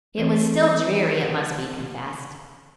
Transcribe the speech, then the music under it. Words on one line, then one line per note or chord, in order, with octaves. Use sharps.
It was still dreary, it must be confessed.
E3 A3 C4 A4